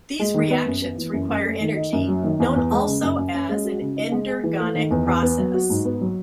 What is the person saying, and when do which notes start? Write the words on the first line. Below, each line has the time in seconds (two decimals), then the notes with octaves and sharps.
These reactions require energy, known also as an endergonic process.
0.19 G#3
0.34 D#3
0.51 B3
0.66 F#2
0.82 B3
0.98 E3
1.13 F#2
1.29 F#2
1.45 A3
1.61 D#3
1.76 D#4
1.93 F#2
2.08 F#3
2.23 D#3
2.40 E2
2.55 E2
2.71 G#3
2.87 C#3
3.02 F#2
3.18 F#2
3.34 C#4
3.49 G#3
3.65 F#4
3.81 C#3
3.96 D#4
4.12 G#3
4.28 G#4
4.43 E3
4.60 A3
4.75 D#3
4.91 E2
5.06 E2
5.23 B3
5.38 F#3
5.54 F#4
5.70 G#2
5.85 B3
6.01 F#3